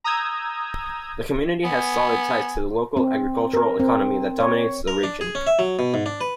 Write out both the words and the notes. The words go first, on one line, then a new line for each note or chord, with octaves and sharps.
The community has solid ties to the local agricultural economy that dominates the region.
A#5 D#6 E6 G6 G#6
B3 G#5
C4
A#4
C4
C#5
A#4
D4
G#4
C#4
E5
F#3
B2
G#2
D4
B4